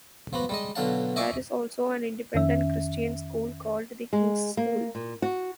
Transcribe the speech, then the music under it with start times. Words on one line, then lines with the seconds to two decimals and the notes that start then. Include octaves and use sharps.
There is also an independent Christian school called the King's School.
0.33 F3 B3 F#4
0.49 G3 G#3 D#5
0.75 B1 B2 D3 F#3 F5 A5
1.16 D#5 E5 G#5 C#6 D6
2.34 F2 D#3 C#4 E5
4.13 G#3
4.57 A#3
4.95 A#2
5.22 F#4